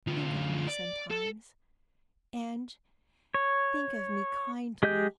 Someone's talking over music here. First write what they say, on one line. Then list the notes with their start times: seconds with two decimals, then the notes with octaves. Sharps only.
Think of me sometimes--and think of me kindly.
0.07 D2 F4
0.68 D5
1.11 A4
3.34 C#5
4.83 G#3 G4 D#5 G6